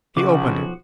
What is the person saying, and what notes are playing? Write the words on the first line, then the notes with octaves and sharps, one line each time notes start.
He opened it.
B1 C#3 F3 F#4 D6